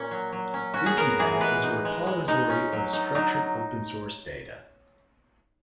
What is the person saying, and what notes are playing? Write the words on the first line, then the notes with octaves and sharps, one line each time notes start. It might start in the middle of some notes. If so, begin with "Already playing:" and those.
Wikidata is a repository of structured open source data.
Already playing: A#2 A#3 C#4 C#5
F#3
F#3
C#4
C#4 F#4
G#4
B3 A#4
E3 G#4
G#3 B4
D#4
G#3
G#3
G#3 D#4
C#4
F#3
D#4
F#3 D#4